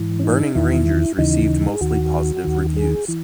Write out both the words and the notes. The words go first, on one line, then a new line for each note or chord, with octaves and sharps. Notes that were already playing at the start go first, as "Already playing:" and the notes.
"Burning Rangers" received mostly positive reviews.
Already playing: G#2 E3
C#4
D#4
E2 D#3 E4
D#2 C#3 E3 D#4
G#4
D#2 D#3 F#4
D#2 D#3
G#4
E3